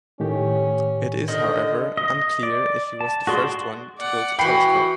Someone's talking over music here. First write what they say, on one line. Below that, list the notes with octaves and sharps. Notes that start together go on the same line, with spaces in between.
It is however unclear if he was the first one to build a telescope.
A2 D#3 C#4 G4
D3 D#3 D#5
D#5
D5
A5
F#4 G#4 D5 C6
D5 F#5
E3 F#4 G5 B5 C7